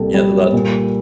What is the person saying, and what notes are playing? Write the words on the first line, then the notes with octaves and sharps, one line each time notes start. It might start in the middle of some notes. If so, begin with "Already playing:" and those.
Yeah, th that
Already playing: C2 A#2 G3 A4
G3
A#2